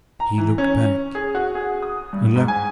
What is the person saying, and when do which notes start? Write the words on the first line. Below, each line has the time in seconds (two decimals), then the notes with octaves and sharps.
He looked back, and lo!
0.20 A#5
0.38 E3
0.58 C#4
1.15 G#4
1.35 F#4
1.55 G#4
1.82 D#6
2.13 G2
2.36 G#2
2.48 G#5